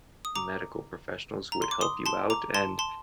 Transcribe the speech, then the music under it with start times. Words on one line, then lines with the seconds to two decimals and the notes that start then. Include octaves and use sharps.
medical professionals who would help you out, and
0.25 D#6
0.35 A#5 D6
1.52 A#5
1.62 C6
1.71 D6
1.81 C6 D#6
2.06 A5 C6
2.30 A#5 D6
2.54 A5 C6
2.79 A5 C6